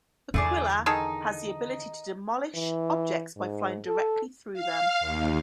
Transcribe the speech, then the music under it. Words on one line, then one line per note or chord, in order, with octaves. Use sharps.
"Aquila" has the ability to demolish objects by flying directly through them.
E2 D3 A3 G#4 D5
D#3 D#4 G#4 A4
E3
G#2
A4
F5
D#2